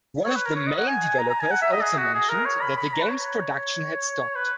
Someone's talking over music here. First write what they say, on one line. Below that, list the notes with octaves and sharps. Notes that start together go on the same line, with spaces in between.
One of the main developers also mentioned that the game's production had stopped.
C#5
B4
A#4
C#5
D#5
F#5
G#5
A#5
A#5
G#5
F#5
E5
D#5
G#4
F#4
G#4
A#4
C#5
B5
B5
A#5
B4
C#5
B4